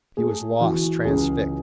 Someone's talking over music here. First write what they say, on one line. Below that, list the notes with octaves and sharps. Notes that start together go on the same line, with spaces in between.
He was lost, transfixed.
A3 G#4
E3 F#4
C#2 G#4